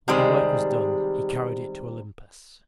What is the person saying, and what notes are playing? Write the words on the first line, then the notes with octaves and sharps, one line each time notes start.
When the work was done he carried it to Olympus.
C3 D#3 G3 G#3 C5